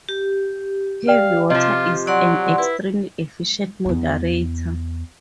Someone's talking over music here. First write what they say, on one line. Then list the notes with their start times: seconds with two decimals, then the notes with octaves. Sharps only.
Heavy Water is an extremely efficient moderator.
0.09 G4
1.08 D5 F5 G5
1.50 C3 F3 F4 D#5
2.07 F#3 D5 F#5 C6
2.58 E4 B4
3.86 E2 E4